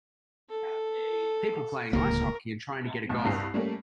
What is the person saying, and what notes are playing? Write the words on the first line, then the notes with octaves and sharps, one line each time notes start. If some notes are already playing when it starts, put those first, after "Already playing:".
People playing ice hockey and trying to get a goal.
A4
D1 C#2 A#3 A#4
B1 A2
C2 G2 C7
G3 A3 A#3 C#4